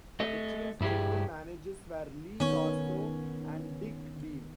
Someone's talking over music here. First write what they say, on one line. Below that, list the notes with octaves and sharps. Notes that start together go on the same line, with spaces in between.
The team's general managers were Lee Corso and Dick Beam.
A3 D#5
G2 E4 G4 G#4
D#3 B3 C#4